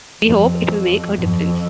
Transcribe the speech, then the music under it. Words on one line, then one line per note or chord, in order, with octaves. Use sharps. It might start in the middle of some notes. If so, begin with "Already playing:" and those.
We hope it will make a difference.
F2
F2